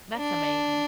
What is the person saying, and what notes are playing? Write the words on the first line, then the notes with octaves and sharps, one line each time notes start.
That's amazing.
D4